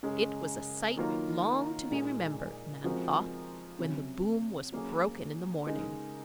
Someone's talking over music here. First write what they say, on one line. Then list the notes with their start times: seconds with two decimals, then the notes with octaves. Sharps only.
It was a sight long to be remembered, Nan thought, when the boom was broken in the morning.
0.03 F#2 C#3 G#3 C#4
0.97 D#3 F#3 A#3 F4 A#4
1.91 A#2 G#3 D#4
2.84 F3 G#3 C4 F#4 A#4
3.79 C3 F#3 C#4
4.72 F#3 A#3 C#4 G#4
5.66 C#3 G#3 D#4 A#4